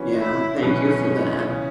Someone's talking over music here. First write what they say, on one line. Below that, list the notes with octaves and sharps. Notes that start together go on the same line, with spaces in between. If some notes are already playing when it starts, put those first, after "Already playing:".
Yeah. Thank you for that.
Already playing: E3 C#4 F#4 B4
E4
E2 B2 F#3 C#4 E4 B4
C#3 E3 C#4